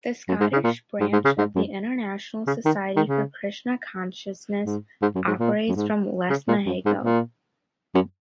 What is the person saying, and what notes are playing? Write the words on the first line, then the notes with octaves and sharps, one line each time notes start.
The Scottish branch of the International Society for Krishna Consciousness operates from Lesmahagow.
F#2
G#2
C#3
A#2
G#2
G#2
C#3
G#2
F#2
C#3
D#3
D#3
C#3
G#2
G#2
F#2
G#2
A#2
F#2
G#2
C#3
A#2
F#2
G#2
A#2
F#2